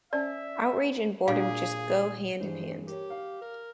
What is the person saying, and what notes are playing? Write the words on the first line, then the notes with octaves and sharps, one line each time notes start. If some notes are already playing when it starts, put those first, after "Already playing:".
Outrage and boredom just go hand in hand.
C#4 C5 D5 E5 A5
A#2 D4 F#4 G#4 F5
G2 E3 G#3 C5
G4 A#4 C#5
F5
A#4